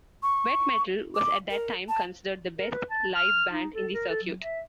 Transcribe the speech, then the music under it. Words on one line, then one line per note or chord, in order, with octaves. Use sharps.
Wet Metal was at that time considered the best live band in the circuit.
C#6
D6
A#4
A5
A#4
B4
A5
F6
D#4
A4
A#4
A4
F#3
E5